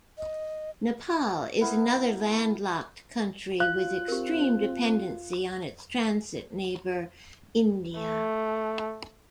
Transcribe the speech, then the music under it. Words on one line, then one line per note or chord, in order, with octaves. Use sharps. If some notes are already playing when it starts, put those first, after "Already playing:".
Nepal is another landlocked country with extreme dependency on its transit neighbour India.
D#5
B3 E4 A#4
F4 F5 F#6
C4 G4 A#4
A3